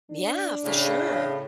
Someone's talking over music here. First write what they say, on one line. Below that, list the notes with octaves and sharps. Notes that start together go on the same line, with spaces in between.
Yeah, for sure.
D4
A2 C#3